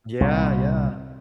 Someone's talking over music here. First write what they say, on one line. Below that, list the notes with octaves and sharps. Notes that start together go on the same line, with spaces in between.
Yeah, yeah.
C2 A#2